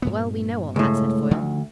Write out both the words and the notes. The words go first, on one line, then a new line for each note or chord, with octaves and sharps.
"Well, we know all that," said Foyle.
G2 A#2 B3
C#2 A2
D2 D3 D#3 F3